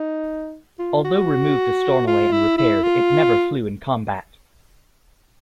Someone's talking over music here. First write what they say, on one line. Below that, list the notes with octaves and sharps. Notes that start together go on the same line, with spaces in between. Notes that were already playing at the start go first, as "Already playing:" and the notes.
Although removed to Stornoway and repaired, it never flew in combat.
Already playing: D#4
F4
F#4
F4
E4
E4
F4